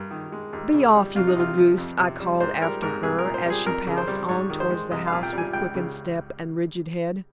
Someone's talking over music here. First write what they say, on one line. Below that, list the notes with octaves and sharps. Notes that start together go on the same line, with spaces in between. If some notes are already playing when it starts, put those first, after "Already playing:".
"Be off, you little goose!" I called after her as she passed on towards the house with quickened step and rigid head.
Already playing: G2 A#4
D#3
G#3
D#2
C#3
G3
C2 F4
D#4
C3 F4
F3
F2
C3
G3
G#2 C5
G3 A#4
G#2 A#4
C2 G#4
A#4
A#2
C5
G3 G#4
F2 A#4
C#3
C5
G3
G#2 C#5
D#3
C5
G#3
C2 D#5
A#2 F5
G5
G3 G#5
C#2 G5
C#3